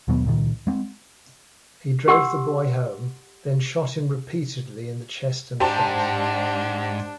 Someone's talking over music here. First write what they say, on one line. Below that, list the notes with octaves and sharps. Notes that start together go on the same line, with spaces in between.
He drove the boy home, then shot him repeatedly in the chest and face.
D#2 B2 F#3 B3
C#2 A#2 D#3
G#3 C4
G4 F#5 C6 E6
D#2 G#2 D4 G4 C5 A5